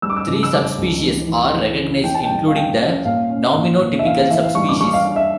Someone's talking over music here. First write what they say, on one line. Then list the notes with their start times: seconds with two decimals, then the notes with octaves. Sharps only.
Three subspecies are recognized, including the nominotypical subspecies.
0.02 G3 E6
0.10 D6
0.16 E6
0.28 C#3
0.43 E6
0.53 G3 D6
0.78 C#2
1.04 E3
1.28 E3
1.54 E3
1.79 C#4
2.04 E3 G5
2.14 A5
2.24 G3 G5
2.48 F5
2.54 G3 G5
2.80 C#4
3.05 A#2 F5
3.29 C#4
3.55 A#2
3.81 A#2
3.99 E5
4.05 E3 F5
4.18 F5
4.30 E3 E5
4.43 F5
4.55 G3 C#6
4.68 D6
4.80 G3 C#6
4.94 F5
5.06 D4 F5
5.16 E5